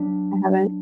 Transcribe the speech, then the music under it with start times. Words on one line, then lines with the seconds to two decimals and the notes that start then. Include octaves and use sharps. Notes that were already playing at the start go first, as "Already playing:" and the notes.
I haven't.
Already playing: F#3 D4